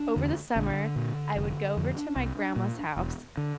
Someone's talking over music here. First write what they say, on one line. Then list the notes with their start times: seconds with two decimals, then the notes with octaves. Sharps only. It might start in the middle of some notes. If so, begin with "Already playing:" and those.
over the summer I would go over to my grandma's house
Already playing: D4
0.16 E2 D3
0.56 A#1 D3 D4
0.96 A#2
1.36 F1
1.77 F2 D3
2.16 C2
2.56 A#2
2.97 E1
3.37 D3